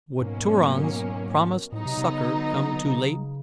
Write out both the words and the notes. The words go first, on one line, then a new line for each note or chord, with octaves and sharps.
Would Turan's promised succor come too late?
G#2 B2 F#3 A#3 C#4
A2 F#3 B3 D#4
C3
C3
C#3
D3
C#3